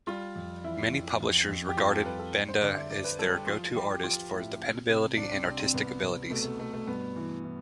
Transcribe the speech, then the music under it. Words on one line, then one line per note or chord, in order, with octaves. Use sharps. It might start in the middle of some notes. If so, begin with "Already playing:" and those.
Many publishers regarded Benda as their go-to artist for his dependability and artistic abilities.
G3 F4
F2
E3 E4
F2
F2
F2
G4
F2 F4
A4
G3 B4
A4
G3
C5
D3 D5
E5
D3 D5
B4
G3 A4
G4
F3 F4
F3 G4
F3 F4
A2 E4
C3
C3
C2 D4
C4
C3 C4
C4
C2 B3
C2
B2 A3
A3
B2 A3
A3
G2 B3
E3
E3